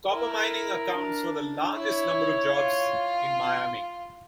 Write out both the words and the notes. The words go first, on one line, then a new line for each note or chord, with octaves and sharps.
Copper mining accounts for the largest number of jobs in Miami.
E4 A#4
D4
E4 C#5
F4